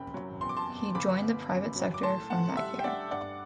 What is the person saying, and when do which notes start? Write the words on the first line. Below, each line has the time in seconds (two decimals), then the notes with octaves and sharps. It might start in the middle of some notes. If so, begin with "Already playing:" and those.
He joined the private sector from that year.
Already playing: F#1 C3 G5 B5
0.14 F#3
0.41 E2 C6
0.49 D6
0.56 A5 C6
0.68 B2
0.95 G1 B5 D6
1.22 B3
1.50 F#2
1.76 F#3
1.94 D6
2.03 A2 A5 C6
2.30 A2 F#5 A5
2.57 G3 E5
2.79 G5
2.84 D4 D5 F#5
3.11 G2 D5 F#5